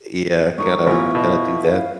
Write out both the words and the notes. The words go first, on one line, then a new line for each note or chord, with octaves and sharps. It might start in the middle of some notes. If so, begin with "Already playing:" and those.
yeah, gotta gotta do that.
G2 D#4 A#4 C#6
A1 B3 E4 F4
B2
F5